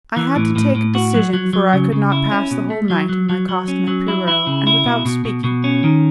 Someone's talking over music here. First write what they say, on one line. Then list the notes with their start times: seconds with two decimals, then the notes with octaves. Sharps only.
I had to take a decision, for I could not pass the whole night in my costume of Pierrot, and without speaking.
0.16 E3
0.36 A2
0.56 A2
0.75 A2
0.95 F#4
1.14 F#3
1.33 F#3
1.53 F#3
1.73 C#3
1.93 C#3
2.12 E4
2.31 C#4
2.51 B2
2.70 A3
2.90 F#3
3.09 F#3
3.29 F#3
3.49 F#3
3.68 C#4
3.88 F#3
4.08 E4
4.28 E4
4.47 C#3
4.67 E4
4.86 B2
5.06 B2
5.25 B2
5.44 B2
5.64 C#4
5.84 D#3